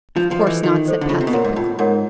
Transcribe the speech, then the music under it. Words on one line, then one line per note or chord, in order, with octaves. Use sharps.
"Of course not," said Patsy, quickly.
F3 F4
F3
A4 C5 D#5
E3
D#3 F4
A4 C5 D#5
D3
C#3 F4
C3
B2
A#2 A#4 C#5 F#5
G#2
A2 F4
G#2 A#4 C#5 F#5